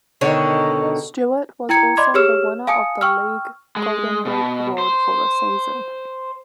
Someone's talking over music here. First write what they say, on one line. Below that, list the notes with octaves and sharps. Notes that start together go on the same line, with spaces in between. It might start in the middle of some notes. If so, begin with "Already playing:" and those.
Stuart was also the winner of the league Golden Boot award for the season.
B2 D3 D#3 C#5
E4 G5 A#5 G#6 C#7
D5 D#5 B5 C6 D6 G#6
G4 G#4 C#5 E6 F6 E7
F5 G#5 A5 D#6 C#7
G5 C#6 E6 F6
G#3
B2
C5